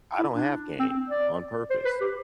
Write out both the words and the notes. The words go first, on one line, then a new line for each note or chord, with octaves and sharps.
I don't have game, on purpose,
E4
D4
C4
D5
C5
B4
G4